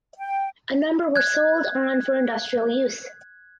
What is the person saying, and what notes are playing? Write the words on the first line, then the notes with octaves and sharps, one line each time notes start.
A number were sold on for industrial use.
G5
F#6 G#6